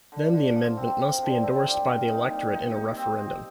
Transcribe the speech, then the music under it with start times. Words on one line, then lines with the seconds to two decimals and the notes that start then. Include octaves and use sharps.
Then the amendment must be endorsed by the electorate in a referendum.
0.12 D3
0.33 D3
0.56 F3
0.77 C4
0.99 F3
1.22 D3
1.43 C4
1.65 G3
1.87 A#2
2.09 D#4
2.30 G3
2.53 D#4
2.75 D#4
2.96 C4
3.19 C4